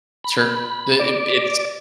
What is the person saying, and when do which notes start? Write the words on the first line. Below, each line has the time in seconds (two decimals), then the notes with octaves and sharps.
Sure, it it it's,
0.24 B5
0.99 D5